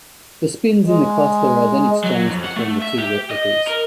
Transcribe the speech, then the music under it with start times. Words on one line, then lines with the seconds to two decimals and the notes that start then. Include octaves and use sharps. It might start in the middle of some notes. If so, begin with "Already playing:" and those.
The spins in the cluster are then exchanged between the two replicas.
0.86 G#3
2.04 F#3
2.26 F2
2.44 F#5
2.56 A3
2.82 E5
2.98 G4
3.31 D#5
3.68 A#4